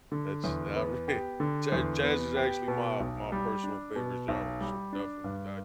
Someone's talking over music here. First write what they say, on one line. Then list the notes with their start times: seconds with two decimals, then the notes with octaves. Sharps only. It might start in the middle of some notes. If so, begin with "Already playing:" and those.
that's outra Ja jazz is actually my my personal favorite genre, so definitely that
0.12 D3
0.44 E2
0.76 B3
1.08 G4
1.40 D3
1.72 E2
2.03 B3
2.36 G4
2.68 B2
3.00 B1
3.32 G3
3.63 D4
3.96 B2
4.28 B1
4.61 G3
4.92 D4
5.24 G2